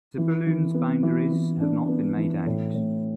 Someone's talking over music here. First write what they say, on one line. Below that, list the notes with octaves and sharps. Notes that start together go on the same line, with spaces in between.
Zebulun's boundaries have not been made out.
E3
E3
B3
E3
E3
D4
B3
E3
A2
A2